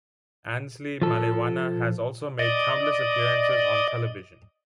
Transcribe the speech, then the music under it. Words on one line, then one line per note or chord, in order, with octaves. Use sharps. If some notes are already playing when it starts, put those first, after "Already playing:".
Annesley Malewana has also made countless appearances on television.
F3 A4
D5 D#5